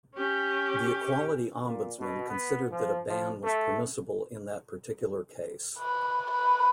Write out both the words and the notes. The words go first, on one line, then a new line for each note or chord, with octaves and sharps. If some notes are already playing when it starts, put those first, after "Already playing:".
The Equality Ombudsman considered that a ban was permissible in that particular case.
C#4 G4
A#2
B2
B3
F3
F3
A3
B4
B4